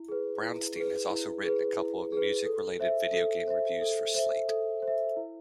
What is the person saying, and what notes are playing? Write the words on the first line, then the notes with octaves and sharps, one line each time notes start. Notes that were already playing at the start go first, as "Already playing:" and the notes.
Brownstein has also written a couple of music-related video game reviews for "Slate".
Already playing: E4
G#4 B4
E4
G#4 B4
E4
G#4 B4
E4
G#4 B4
A4
C5 E5
A4
C5 E5
A4
C5 E5
A4
C5
E5
E4